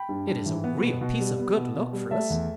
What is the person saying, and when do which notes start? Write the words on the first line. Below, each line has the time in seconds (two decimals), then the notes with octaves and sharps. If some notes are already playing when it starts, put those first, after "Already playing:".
It is a real piece of good luck for us.
Already playing: G5 B5
0.09 G2
0.28 G2
0.46 E3
0.64 B3
0.83 B2
1.01 B2
1.20 G3
1.38 B3
1.56 B2
1.75 B2
1.93 G3
2.11 A3 E5 A5
2.30 E2